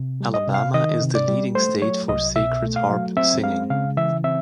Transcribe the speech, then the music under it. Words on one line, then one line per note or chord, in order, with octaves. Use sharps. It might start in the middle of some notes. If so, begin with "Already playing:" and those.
Alabama is the leading state for Sacred Harp singing.
Already playing: C3
G3
D#5
C3
F5
D#3 D#5
C3
D5
G3
A3 C5
F#3 C#5
C2 D#5
B2 E5
A3
F5
F#3
C4 E5
G#3 F5
C#3 F5
E3 E5
C4 E5